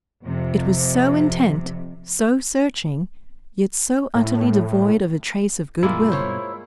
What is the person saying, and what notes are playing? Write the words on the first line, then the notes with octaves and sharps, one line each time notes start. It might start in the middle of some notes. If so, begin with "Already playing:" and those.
It was so intent, so searching, yet so utterly devoid of a trace of good will.
F2 C3
A2
G2 B2 G#3 A#3 E4 F4
C5 C#5